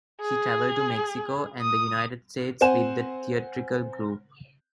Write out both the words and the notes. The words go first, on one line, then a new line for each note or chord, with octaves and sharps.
She traveled to Mexico and the United States with the theatrical group.
G#4
D#6
C4 C5 F#5 G#5 E7